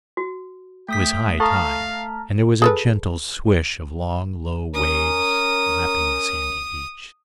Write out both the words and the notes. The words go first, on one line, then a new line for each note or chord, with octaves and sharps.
It was high tide, and there was a gentle swish of long low waves lapping the sandy beach.
F#4
A3 G5 D#6 B6
A4 F5 A5 A#5 C#6 E6 F6
G#4 A4 B4
C#4 A#4 D#6